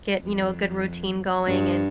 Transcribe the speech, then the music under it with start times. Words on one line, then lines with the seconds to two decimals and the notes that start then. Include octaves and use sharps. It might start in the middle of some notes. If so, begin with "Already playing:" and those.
get, you know, a good routine going and
0.21 F2
1.46 G2